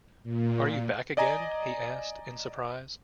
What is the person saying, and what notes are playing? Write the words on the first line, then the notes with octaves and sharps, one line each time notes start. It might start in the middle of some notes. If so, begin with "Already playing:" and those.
Are you back again? he asked, in surprise.
A#2
D5 D#5 G#5 A#5